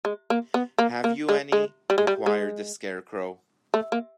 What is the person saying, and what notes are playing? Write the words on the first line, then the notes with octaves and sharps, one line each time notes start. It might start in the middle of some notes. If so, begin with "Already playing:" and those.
Have you any? enquired the Scarecrow.
G#3
A#3
B3
A#3
A#3
G#3
G#3
G3
G#3
G3
G#3
A3
A#3